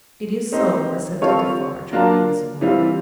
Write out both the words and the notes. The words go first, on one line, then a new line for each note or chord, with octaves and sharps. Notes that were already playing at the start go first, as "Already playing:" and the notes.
"It is so," assented Defarge once more.
C4 D#4 G4
G3 C4 F4 A4 C#5
F#3 A#3 D4 F4 A#4
E3 G3 C4 F4